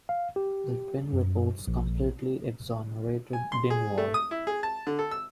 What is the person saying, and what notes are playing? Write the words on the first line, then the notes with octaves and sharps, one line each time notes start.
The twin reports completely exonerated Dingwall.
F5
G4
F#2
A#1
G#5
C6
G#4
A3
D#6
E4
G#4
A5
D3
A4
E6